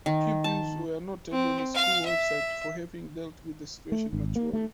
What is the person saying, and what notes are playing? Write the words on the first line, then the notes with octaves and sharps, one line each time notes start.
Pupils were noted on the school's website for having dealt with the situation maturely.
D#3
A5
C4
F5
E5
A3
G#1
A#3
A3